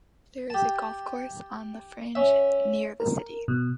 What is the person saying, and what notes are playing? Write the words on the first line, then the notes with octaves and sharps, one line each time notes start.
There is a golf course on the fringe near the city.
G4 A5
C#4 E5
A#4
B2